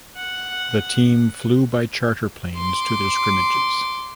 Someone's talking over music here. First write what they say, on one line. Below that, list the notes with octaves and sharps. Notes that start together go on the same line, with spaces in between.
The team flew by charter planes to their scrimmages.
F#5
C6 D6